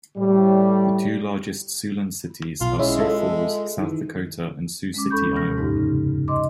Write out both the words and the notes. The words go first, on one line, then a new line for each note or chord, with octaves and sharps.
The two largest Siouxland cities are Sioux Falls, South Dakota, and Sioux City, Iowa.
A2 G3
B1 F4
G#3 C#4 E4 E5
F4 A4 E5
D#3 E3
G#3 C#4 D6
D#2 A4 B5 C#6 G6
D#2 C3 F3 F6 A#6
F2 G#2 D#4 G4
C#3
D#5 C6 D6